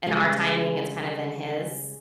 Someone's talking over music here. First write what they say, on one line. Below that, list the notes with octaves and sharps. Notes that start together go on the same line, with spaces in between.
in our timing, it's kind of in his.
C#3 G3 G#3